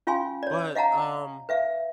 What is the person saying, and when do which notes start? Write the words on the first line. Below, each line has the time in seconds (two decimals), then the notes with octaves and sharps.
But, um
0.07 C#4 F4 F5 G#5 C6
0.43 C#5 D5
0.75 D#5 F5 F#5 A5 A#5
1.49 B4 E5 F5